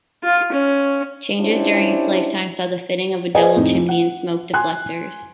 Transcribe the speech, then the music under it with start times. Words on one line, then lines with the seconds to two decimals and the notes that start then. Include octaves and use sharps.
Changes during its lifetime saw the fitting of a double chimney and smoke deflectors.
0.24 F4
0.52 C#4
1.41 C#4 D4 E4 F4 G4 C5
3.35 G#4 B4 C5 D5 D#5 G#5
3.56 F2 A2 C3 D#4
3.89 F#5
4.54 G#5 C6 F#6